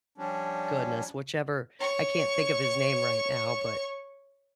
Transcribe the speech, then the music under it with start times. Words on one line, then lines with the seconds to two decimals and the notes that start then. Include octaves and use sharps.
goodness, whichever, I can't think of his name right now, but
0.18 F3 G3 C#4 D4
1.80 C#5 C#6